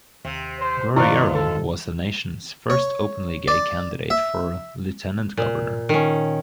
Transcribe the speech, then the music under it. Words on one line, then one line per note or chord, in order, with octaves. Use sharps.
Guerriero was the nation's first openly gay candidate for lieutenant governor.
D#2 C3
C5
G2 B2 D#3 E4 F4 C5 D5 C#6
A4
C#5
D5
E5
A#2
D#3 C#4